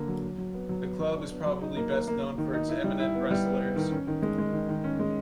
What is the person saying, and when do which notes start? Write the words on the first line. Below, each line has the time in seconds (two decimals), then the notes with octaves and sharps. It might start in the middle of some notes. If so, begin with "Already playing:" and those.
The club is probably best known for its eminent wrestlers.
Already playing: D3 A#3
0.08 F#3
0.23 F#3
0.38 F#3
0.54 B3
0.69 F#3
0.85 B3
1.00 F#3
1.15 D4
1.31 B3
1.46 F#3
1.61 D#4
1.77 A#3
1.92 A#3
2.07 A#3
2.23 A#3
2.38 D#3
2.53 D#4
2.69 E4
2.84 G3
3.00 E4
3.15 B3
3.31 G3
3.46 B3
3.61 B3
3.76 D#3
3.92 C#4
4.07 D#3
4.22 G#3
4.38 G#3
4.53 D#3
4.69 D#3
4.84 C#4
4.99 G#3